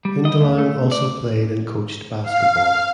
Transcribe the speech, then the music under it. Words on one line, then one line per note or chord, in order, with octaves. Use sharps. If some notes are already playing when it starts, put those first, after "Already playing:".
Hindelang also played and coached basketball.
G3
D#5
D2
A3
D5
F5